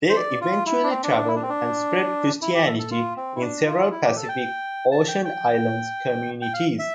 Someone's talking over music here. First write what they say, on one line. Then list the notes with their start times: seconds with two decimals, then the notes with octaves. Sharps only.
They eventually traveled and spread Christianity in several Pacific Ocean island communities.
0.09 C5
0.16 D5
0.41 F4
0.66 E4
0.84 D4
0.91 C4
1.04 D4
1.12 C4
1.17 D4
1.28 E4
1.35 D4
1.43 C4
1.50 D4
2.42 E4
2.54 G4
2.67 A4
2.79 A4
2.91 F4
3.17 C4
3.36 E4
3.41 D4
3.66 F4
3.91 E4
4.04 G4
4.16 A4
4.23 A5
4.29 G5
4.92 A5
5.08 G5
5.25 G5
6.42 G5
6.54 F5
6.79 E5